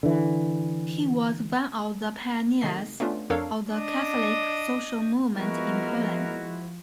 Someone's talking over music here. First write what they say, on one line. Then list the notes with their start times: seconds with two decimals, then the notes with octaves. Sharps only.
He was one of the pioneers of the Catholic social movement in Poland.
0.03 D3 E3
2.61 C3 D#3 A3 D#5 C7
3.00 A3 B3 C#4 D4 F4
3.30 F2 D4 A4 A#4 C#5 F5
3.72 D4 D#5
5.34 F3 G#3 B3 E4 F#4 A#4